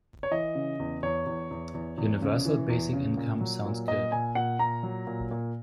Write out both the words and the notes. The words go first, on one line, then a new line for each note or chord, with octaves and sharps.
Universal basic income sounds good.
C#5
E3 D#5
C#3
E2
E2 C#5
E2
E2
E2
E2
C#3
E3
E2
C#3
A#2
F#3
A#2
A#2 D#5
A#2 G#5
A#2 F#5
A#2 A#5
F#3
A#2
A#2